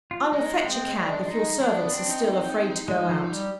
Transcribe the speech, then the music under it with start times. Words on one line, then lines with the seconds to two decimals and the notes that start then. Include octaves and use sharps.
I will fetch a cab, if your servants are still afraid to go out.'
0.11 F4
0.32 G#3 D#4
0.64 C4
0.97 D4
1.28 D#4
1.60 G#3 D4
1.76 B3
1.92 C4 D4
2.08 D#4
2.24 D#4
2.88 G#3
3.09 F3
3.30 G3